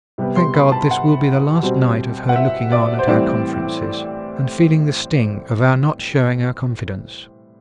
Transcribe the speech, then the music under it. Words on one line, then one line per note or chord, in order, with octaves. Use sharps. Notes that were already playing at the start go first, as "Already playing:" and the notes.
Thank God, this will be the last night of her looking on at our conferences, and feeling the sting of our not showing our confidence.
C3 G3 B3
C6
B5
A5
F#5
B2 G3 C4
F#5
E5
D5
C5
A2 E3 G3 C4 D5